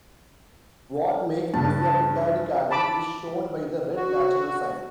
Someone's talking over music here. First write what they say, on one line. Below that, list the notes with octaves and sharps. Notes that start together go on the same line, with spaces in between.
What makes this a Picardy cadence is shown by the red natural sign.
G2 C#3 A5
A5 B5 D6
F#4